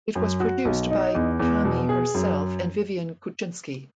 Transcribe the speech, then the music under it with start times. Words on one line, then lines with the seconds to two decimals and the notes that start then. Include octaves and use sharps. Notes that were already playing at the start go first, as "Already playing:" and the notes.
It was produced by Caymmi herself and Vivian Kuczynski.
0.15 F#2
0.40 F#4
0.65 B1
0.90 D#4
1.15 E2
1.40 E2
1.64 B2
1.89 G#4
2.15 F#2